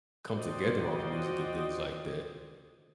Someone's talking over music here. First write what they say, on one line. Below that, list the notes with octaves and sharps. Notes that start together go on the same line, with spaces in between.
come together off music and things like that,
F4 F#4 C5 D5 D#5 G5